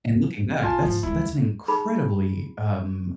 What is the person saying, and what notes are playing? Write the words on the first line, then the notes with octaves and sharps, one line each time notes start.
And looking back, that's that's an incredibly, um,
B1 F4 G#5 A5
G#2 C#3 F3
D2 G#3 E4
D#4 G#4 B5